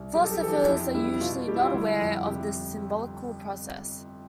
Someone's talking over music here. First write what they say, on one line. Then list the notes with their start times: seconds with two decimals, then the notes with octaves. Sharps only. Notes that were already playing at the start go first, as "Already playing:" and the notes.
Philosophers are usually not aware of this symbolical process.
Already playing: C2
0.15 B1 G4
0.24 A4
0.34 G4
0.42 E3 A4
0.53 G4
0.62 D4
0.68 F2 E4
0.95 G3 E4
1.21 B2 F4
1.48 G3 G4
1.55 E4
1.61 F4
1.74 G1 E4
2.00 F2
2.27 C3 G4